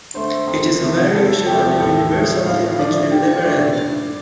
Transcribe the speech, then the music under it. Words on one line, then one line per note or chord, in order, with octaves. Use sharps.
It is a variation on a universal theme which will never end.
D3 A3 C5
F2
C3 F3 A3
F2 A4
A4
C3 F3 A3 G4
G4
A2 A4
F3 A3
A2 F5
F5
F3 A3 D5
G2 G4
D3 A3 D5
G2